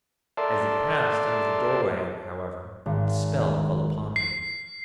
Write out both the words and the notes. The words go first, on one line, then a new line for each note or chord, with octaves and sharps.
As he passed under the doorway, however, a spell fell upon him.
A4 A#4 D5 E5 A5 C6
G#1
C7